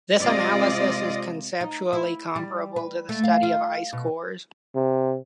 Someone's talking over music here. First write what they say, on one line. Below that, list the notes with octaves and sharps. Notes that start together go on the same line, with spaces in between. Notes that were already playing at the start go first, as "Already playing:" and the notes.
This analysis is conceptually comparable to the study of ice cores.
C3 G#3 C4 F4 D5 D#5
D#4
E4
G3
B4
A3
F5
F4
B2
C3